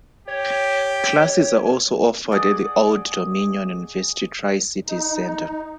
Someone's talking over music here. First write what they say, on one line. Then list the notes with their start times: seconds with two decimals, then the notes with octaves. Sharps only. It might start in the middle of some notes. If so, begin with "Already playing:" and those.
Classes are also offered at the Old Dominion University Tri-Cities Center.
0.28 G4 C#5
2.32 G#4 D5 D#5 F#5
4.87 D#4